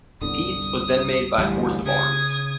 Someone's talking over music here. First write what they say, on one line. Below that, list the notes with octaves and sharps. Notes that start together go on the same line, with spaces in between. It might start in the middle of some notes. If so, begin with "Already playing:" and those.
Peace was then made by force of arms.
G1 C2 D3 D#6
A1 D2 G2 G3
C#3 D#6 G#6